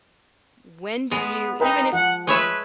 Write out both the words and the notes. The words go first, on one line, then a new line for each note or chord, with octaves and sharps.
When do you even if
G#3 B3 F7
D#4 A#4 B4 G5
F3 F#5
G#3 B4 C#5 E5